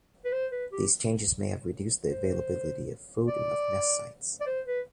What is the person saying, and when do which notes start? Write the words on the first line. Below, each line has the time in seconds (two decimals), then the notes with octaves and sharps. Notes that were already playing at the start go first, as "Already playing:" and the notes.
These changes may have reduced the availability of food and of nest sites.
0.24 B4
0.32 C5
0.52 B4
0.72 G4
2.10 C5
3.27 D5
4.41 D5
4.46 C5
4.66 B4